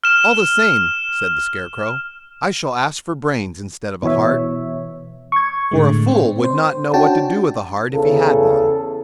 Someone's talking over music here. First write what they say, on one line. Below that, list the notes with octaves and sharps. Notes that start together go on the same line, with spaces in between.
"All the same," said the Scarecrow, "I shall ask for brains instead of a heart; for a fool would not know what to do with a heart if he had one."
F6 E7
B2 E3 C#5 E5
C#6 G#6
A2 D3 G#3
C4
C5
C#4 D4 F#4 G5 A5
E2 C#3 A4